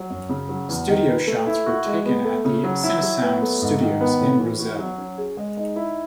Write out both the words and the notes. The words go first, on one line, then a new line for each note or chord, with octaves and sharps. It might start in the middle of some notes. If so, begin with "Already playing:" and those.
Studio shots were taken at the Cinesound Studios in Rozelle.
Already playing: F#3
F#2
C#3
F#3
E2
D#3
B4
A3
E4
F#4
G#3
B3
A3
C#3
F#3
E4
F#3
B3
A3
G#2
D#3
B3
A2
E3
F#4
F#3
C#4
G#4
G#3
D#4
E4